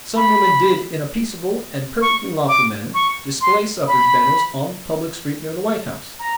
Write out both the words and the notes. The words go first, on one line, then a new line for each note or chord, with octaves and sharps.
Some women did in a peaceable, and perfectly lawful manner, display suffrage banners on the public street near the White House.
B5
C#6
D6
C#6
C6
B5
A#5